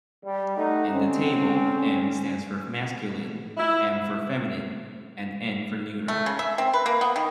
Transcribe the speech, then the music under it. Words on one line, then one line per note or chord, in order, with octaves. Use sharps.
In the table, "m." stands for masculine, "f." for feminine, and "n." for neuter.
G3
A3 D#4 F#5
D3 C4 C#4
E4
A3
C#3
E5
C4
B4
A#3
B3
D#3